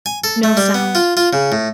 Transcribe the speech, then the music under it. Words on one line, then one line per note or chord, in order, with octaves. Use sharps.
No sound.
G#5
A4
A3
G3
B3
F4
F4
C#3
A2